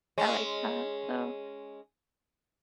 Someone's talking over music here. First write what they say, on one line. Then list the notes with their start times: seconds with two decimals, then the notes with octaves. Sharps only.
I like that, so
0.18 G#3 C#4